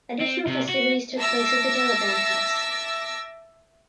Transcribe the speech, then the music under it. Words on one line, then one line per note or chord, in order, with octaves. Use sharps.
Additional festivities took place at the Delavan House.
C4
C3
F#4
E5 A5 D6 E6 A#6